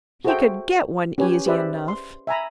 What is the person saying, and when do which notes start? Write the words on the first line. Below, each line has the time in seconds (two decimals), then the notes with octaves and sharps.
"He could get one easy enough."
0.25 F#4 G#4 A4 C5 E5 G5
1.18 C#4 G4 B4 C#5 G#5
1.46 G4 G#4 B4 C5 D5 E5
1.88 C6
2.27 E5 G#5 A#5 B5